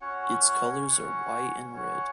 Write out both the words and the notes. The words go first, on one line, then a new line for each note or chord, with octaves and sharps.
Its colors are white and red.
C#4 F#4 C#5 F#5
C#4 F#4 C#5 F#5
C#4 F#4 C#5 F#5